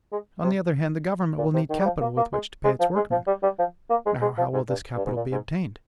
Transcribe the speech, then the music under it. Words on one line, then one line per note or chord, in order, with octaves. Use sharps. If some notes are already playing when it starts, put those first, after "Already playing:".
On the other hand, the government will need capital with which to pay its workmen; now, how will this capital be obtained?
G#3
C3
A#2
C3
D#3
G3
F3
A#3
A#3
G#3
G#3
F3
G#3
F3
G3
G3
F3
A#3
G#3
G#3
F3
G#2
G2
G2
G#2
A#2
G#2